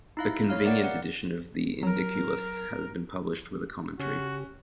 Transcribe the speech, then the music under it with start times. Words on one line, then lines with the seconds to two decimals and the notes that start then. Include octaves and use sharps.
A convenient edition of the Indiculus has been published with a commentary.
0.17 D#4 E4 F5
0.49 A3 C#5 F5 F6
0.65 A#4 D5 F5 F#5 A6
0.84 F#5
1.83 F#3 A#4
4.00 C#3 C#4 F#4 G4